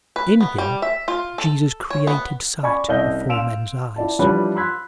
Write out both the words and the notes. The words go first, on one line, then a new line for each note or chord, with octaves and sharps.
In him Jesus created sight before men's eyes.
B4
B3
G3
E5
F4
A4
C#5
B3
D5 G#5 B5 C#6 G#6
C2 C#4 D#5 G6 G7
F5 C6 E6 D7 E7 F7
E4 D5 A5
E3 F3 G3 D4 B4 C#5
B5 C6 E6 F#6 G#6 B6